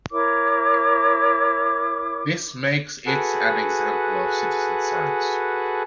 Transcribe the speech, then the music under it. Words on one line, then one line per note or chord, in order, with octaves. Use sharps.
This makes it an example of citizen science.
E4 A#4 C#5 D6
F#4 G#4 A4 B4 F#5